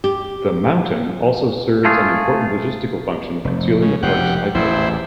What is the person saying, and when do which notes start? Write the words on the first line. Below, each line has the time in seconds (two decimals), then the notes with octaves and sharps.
The "mountain" also serves an important logistical function, concealing the park's pipework.
0.04 G4
1.85 A3 F4 G#4
3.45 F1
3.82 C#3
4.03 F1 B2 G4 F#5
4.55 A1 E2 A#2 E4 C5